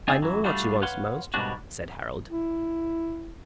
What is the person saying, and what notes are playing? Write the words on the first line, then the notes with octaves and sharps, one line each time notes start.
"I know what she wants most," said Harold.
C4 D#4 D5 F5 G#5
F#2 E3 F#3
G3 A3 D4 F4 F#4
B4 C#5 F5 F#5 C6
G#2 B2 G3 A#3 D4 F#4
E4